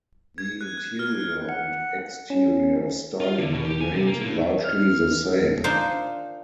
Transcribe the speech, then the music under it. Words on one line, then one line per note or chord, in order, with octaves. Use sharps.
The interior and exterior styling remained largely the same.
G#6
F#6
F#6
F6
F#5
C#4
F4
D3
B2
G4
G#5
C3
A#3
A2
F6
D4 D#4 F4 A#4 C5